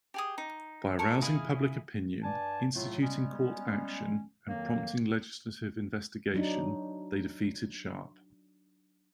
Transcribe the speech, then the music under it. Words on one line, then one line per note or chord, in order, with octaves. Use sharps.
By arousing public opinion, instituting court action, and prompting legislative investigation, they defeated Sharp.
G4 G#4 D#6
D#4
A4 A#4 C#6
E4 G#4 D#5 F5
G2 D5 G#5 A5
A2 C#3 F#3 A3 F4
G3 G#3 B3 C#4
F2 D#3 F#3 A#3
F#3 D4 D#4